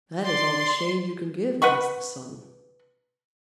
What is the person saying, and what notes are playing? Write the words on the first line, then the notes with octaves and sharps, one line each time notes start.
"That is all the shade you can give against the sun."
D5 C6
B4 F#5 B5 C#6